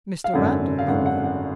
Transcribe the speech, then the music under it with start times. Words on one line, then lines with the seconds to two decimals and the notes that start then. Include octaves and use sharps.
"Mr. Randal Linley."
0.24 F5
0.33 G#1 F#2 D3 F#5
0.79 F5
0.87 G#1 F#2 D3 F#5
1.06 F#5
1.24 F#5